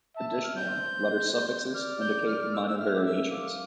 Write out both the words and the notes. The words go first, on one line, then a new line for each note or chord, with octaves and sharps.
Additionally, letter suffixes indicate minor variations.
E5 A5
A5
F6
G6
C5
D5 F6
G6
F6
F6
E6
E6
E5 F6
D6
E6
F5 D6